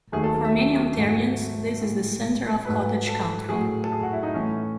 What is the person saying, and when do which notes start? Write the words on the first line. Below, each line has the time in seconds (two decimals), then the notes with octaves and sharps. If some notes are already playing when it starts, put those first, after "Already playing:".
For many Ontarians, this is the centre of cottage country.
0.12 D#2 D#3 F#3 A3 G#4
0.23 A4
0.34 A4
0.45 E5
0.97 G#2 F#3 A3
1.81 A2 G#3
2.65 G#2 F#3 A3 B4
3.07 A4
3.49 A2 F#3 A3 G#4
3.84 A4
3.92 G#4
4.02 F#4
4.13 E4
4.23 D#4
4.34 A2 E3 A3 C#4